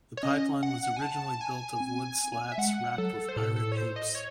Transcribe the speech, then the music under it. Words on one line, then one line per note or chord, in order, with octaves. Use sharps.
The pipeline was originally built of wood slats wrapped with iron hoops.
C#5
C#4 D#5
F#5
F#5
G#5
A5
G#5
C4
E5
G#3 F#5
F#3 A4
C5
A2 A4
A4
C#5
C5
D#5
C#5